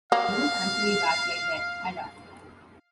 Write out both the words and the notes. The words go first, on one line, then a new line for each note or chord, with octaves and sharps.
Don’t answer me back like that, Ada.
A#3 F5